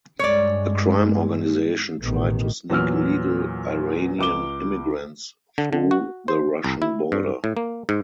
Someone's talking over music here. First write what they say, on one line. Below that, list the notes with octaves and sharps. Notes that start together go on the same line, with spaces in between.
A crime organization tried to sneak illegal Iranian immigrants through the Russian border.
G2 G#3 C#5 D5
A1 B2 D#3
E2 A#2 F#3 E6 F6
C#2 D6 G7
D3
D3
F#4
C5
C2
E4
G2
A2
A#3
G#2